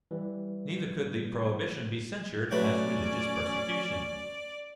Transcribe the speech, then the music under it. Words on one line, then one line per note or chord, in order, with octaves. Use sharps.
Neither could the prohibition be censured as religious persecution.
E3 G3
F#3 A3 C#4 B4 D5